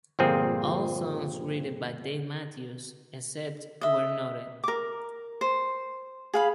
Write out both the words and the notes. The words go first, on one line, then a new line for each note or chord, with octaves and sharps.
All songs written by Dave Matthews except where noted.
G1 A#2 F3 C4 G#4
D#5 E5
A#4 D6
C5
G#4 F5 B5